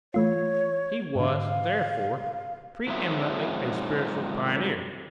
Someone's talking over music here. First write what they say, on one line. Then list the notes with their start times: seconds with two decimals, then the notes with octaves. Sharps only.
He was, therefore, pre-eminently a spiritual pioneer.
0.14 E3 A3 F4 C#5
1.15 G#2 D3 F5
2.88 G#2 D#3 F3 F#3 C4 E5